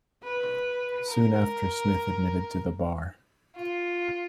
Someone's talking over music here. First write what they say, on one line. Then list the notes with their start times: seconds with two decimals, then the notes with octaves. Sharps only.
Soon after Smith admitted to the bar.
0.24 B4
1.07 A#4
3.56 F4